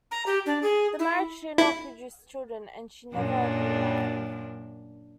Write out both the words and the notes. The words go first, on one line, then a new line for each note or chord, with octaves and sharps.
The marriage did not produce children and she never remarried.
A#5
G4
D4
G#4
E4
E4
F#2 A#2 D4